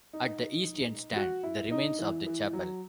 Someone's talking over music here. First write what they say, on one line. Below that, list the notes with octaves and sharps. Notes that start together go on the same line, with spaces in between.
At the east end stand the remains of the chapel.
D#4
F#4
E4
D#4
E3
E3
F#3